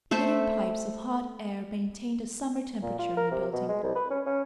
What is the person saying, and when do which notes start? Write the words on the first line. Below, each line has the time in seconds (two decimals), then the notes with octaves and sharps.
Hidden pipes of hot air maintained a summer temperature in the building.
0.11 A3 A4 C5 E5
2.82 A#2
2.99 F4
3.17 A#4
3.31 C3
3.53 B2
3.69 G#3
3.83 C2
3.95 B4
4.10 C#4
4.26 C#4